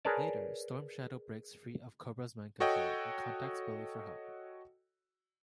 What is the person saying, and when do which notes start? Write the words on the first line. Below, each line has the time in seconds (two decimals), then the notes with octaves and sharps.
Later, Storm Shadow breaks free of Cobra's mind control, and contacts Billy for help.
0.05 G#4 A#4 B4 C#5 D5 A5
2.60 F#4 A4 C#5 D#5 F#5 G5